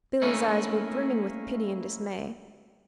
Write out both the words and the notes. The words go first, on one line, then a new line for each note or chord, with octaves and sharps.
Billy's eyes were brimming with pity and dismay.
A3 A#3 C#4 D#4 E4